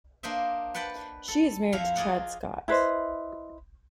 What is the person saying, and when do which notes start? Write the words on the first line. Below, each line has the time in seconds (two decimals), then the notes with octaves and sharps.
She is married to Chad Scott.
0.23 A#3 D4 C5 D#5 E5
0.74 B4 F#5 G5 A5 B5
1.28 A4
1.73 F2 E4 E5 F5 A#5
1.96 F4 G#4 D5 D#5 F#5
2.68 E4 B4 C5 D#5